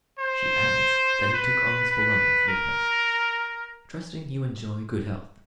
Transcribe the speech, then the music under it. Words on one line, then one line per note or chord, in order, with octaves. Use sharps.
She adds that he took all his belongings with him.--Trusting you enjoy good health.
C5
B4
B4
A#4